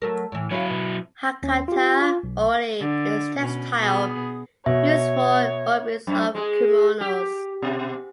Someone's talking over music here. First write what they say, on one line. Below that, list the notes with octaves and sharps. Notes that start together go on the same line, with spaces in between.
Hakata ori is a textile used for obis of kimonos.
F#3 A3 A#4
A2 E3
F#3 C#4 E4 F5
B2
D#2 C#4
F4 G4
F4
B1
D3
B2 C#4
B2 B3 G#4
B2 C#5 E5
F#2
G#3 G#4
G4
B2